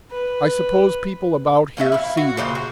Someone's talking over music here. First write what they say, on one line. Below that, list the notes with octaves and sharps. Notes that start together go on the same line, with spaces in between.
"I suppose people about here see that."
B4
A#3 C#4 F#4 E5
E4 F5
F#4
A#2 C#3 A4 C5
F#4